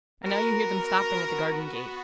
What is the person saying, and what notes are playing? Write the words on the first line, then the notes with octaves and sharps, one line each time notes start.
And now you hear them stopping at the garden-gate!
B3 F#4 A#4